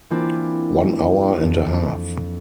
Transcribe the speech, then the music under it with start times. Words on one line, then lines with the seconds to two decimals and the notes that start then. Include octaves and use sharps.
One hour and a half.
0.10 E3 A#3 C4 D4 E4 F4
1.43 F2